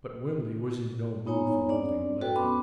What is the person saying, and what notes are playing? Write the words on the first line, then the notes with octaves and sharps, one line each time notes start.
But Wimley was in no mood for holding a levee.
B3 D#4 C#5 G#5 A#5
C4 D4 D5
F#4 A4 B4 G5
B3 C#4 B5 C6 D6